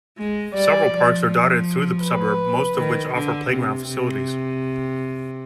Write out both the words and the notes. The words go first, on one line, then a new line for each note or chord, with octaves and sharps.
Several parks are dotted through the suburb, most of which offer playground facilities.
G#3
G3 D5
F3
B4
D#3
D3
C3
C3